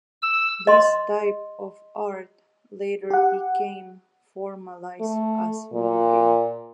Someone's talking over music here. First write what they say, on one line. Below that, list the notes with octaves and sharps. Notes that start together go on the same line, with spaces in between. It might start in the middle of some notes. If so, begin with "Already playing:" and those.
This type of art later became formalised as "Mingei".
E6
D#5 C6
G4 F#5
A3
A#2